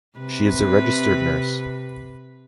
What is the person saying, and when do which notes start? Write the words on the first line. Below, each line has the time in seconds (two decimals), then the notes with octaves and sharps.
She is a registered nurse.
0.18 C3 B4